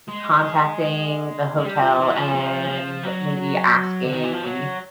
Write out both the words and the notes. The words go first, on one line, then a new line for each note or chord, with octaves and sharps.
contacting the hotel and maybe asking,
G#3
G#3
G3
F3
E3
F3
F3
F3
F#3
D3
D#3
E3
F3
F#3